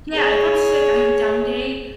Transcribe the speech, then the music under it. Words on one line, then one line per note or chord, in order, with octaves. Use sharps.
yeah, if I'm sick, I have a down day,
G#4 C#5